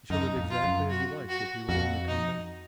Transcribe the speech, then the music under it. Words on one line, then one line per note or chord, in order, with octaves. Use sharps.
He shall live exactly as he likes if he will only come back.
F#2 D#4
F2
F4
F#2
F#4
F#4
F2 F#4
D#4